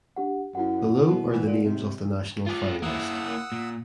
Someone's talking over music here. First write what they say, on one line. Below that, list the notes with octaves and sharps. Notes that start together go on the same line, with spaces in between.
Below are the names of the national finalist.
D4 G4 F#5
F#2 E4 F#4 F#5
B2
E3
A#2
C3
F4 G#4
A#3 E4 F#5 D#6 E6
A#2